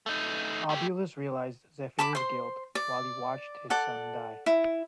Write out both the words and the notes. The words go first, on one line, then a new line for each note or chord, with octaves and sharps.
Oebalus realizes Zephyr's guilt while he watches his own son die.
A3 D#4
A3 G4
A5 B5 D6
C5 C6
D5
A4 D5 F#5
E4